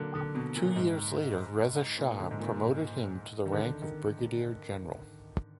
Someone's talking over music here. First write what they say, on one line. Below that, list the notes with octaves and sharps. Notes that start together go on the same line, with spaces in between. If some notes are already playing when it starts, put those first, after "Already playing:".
Two years later Reza Shah promoted him to the rank of brigadier general.
Already playing: D3 F#3 A#3
D3
B2
A#2
G#2
A#2
D3
G#2
A#2
D#3
D3
D#3